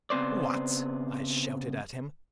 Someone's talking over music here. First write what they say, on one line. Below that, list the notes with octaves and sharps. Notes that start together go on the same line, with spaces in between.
"What!" I shouted at him.
C#3 B3 C4 C5 D5